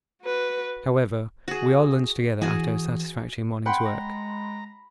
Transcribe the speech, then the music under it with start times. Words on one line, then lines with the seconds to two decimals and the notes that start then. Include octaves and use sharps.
However, we all lunched together after a satisfactory morning's work.
0.22 F#4 B4
1.48 F#4 G#4
2.42 E3 F#4 G#4 G#5
3.66 F#5 G5 B5 C6
3.85 G#3 A#5